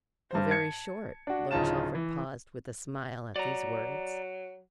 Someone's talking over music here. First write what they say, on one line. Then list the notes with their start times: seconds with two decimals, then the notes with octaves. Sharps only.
'How very short!' Lord Chelford paused, with a smile, at these words.
0.31 G2 C5
0.50 A5 G#6 C#7
1.27 D4 F#4
1.51 D1 C#3 D#4 F4 A5 E7
1.95 E3
3.36 F#3 D5 A#5